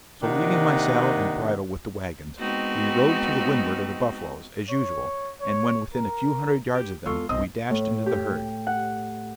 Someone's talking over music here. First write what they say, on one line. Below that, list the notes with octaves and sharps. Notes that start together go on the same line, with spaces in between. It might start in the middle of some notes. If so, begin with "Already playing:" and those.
So, leaving my saddle and bridle with the wagons, we rode to the windward of the buffaloes, as usual, and when within a few hundred yards of them we dashed into the herd.
C3 D#3 A#3 D4 D#5 F#5
G#3 B3 C4 D#4 F#4 G4
C#5
C#5
A#4
G4
E2 G#3 F4 A4 C#6 E6
B1 B2 C4 D#5 D#6
A2
G4
F#5